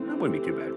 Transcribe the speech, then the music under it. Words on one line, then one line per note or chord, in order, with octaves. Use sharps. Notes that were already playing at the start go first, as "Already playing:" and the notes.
That wouldn't be too bad.
Already playing: E3 A3 C4
G4 A4